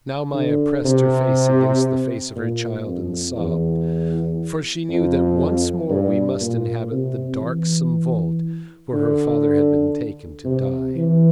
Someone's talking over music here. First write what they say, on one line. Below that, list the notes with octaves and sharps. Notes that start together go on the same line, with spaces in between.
Now Maya pressed her face against the face of her child and sobbed, for she knew that once more we must inhabit the darksome vault where her father had been taken to die.
D3
C3
A#2
F2
E2
F2
G2
A#2
C3
E3
D3
C3
E3